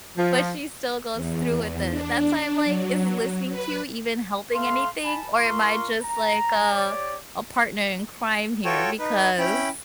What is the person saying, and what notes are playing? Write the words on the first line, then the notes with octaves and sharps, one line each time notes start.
but she still goes through with it. That's why I'm like, "Is listening to you even helping anything, or am I just like, uh, a partner in crime here?" because
F3
E2
D4
F#3
B4
A3 F5 C6
G#5 A5 B5
F4 A#4 C6 C#6
A#5
G4 C#5 D5
F4 F#4 A4 C#5 G5
D#4 B4
C#4 E4 G5 B5